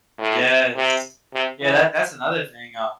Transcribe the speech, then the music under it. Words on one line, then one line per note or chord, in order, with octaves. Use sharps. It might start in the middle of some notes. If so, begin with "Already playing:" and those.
Yes, yeah, that that's another thing, uh,
A2
C3
C3
E3